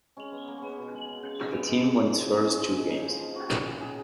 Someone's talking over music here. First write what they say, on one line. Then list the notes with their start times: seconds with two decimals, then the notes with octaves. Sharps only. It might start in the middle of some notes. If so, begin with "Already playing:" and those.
The team won its first two games.
0.17 G#3 C#4
0.32 G#3 B3
0.48 G#3 A#3
0.58 G#3 B3 C#4
0.78 B2
0.93 G#3
1.08 C#3
1.23 C#3
1.39 G#3
1.53 C#3 B3
1.68 G#3
1.84 G#3
1.99 C#3
2.14 F3
2.29 G#3
2.44 G#3 C#4
2.60 C#3
2.74 G#3
2.89 A#3 D#4
3.05 A#3
3.20 F3
3.35 A#3 F#4
3.50 C#3
3.67 C#3
3.80 D#3 G#4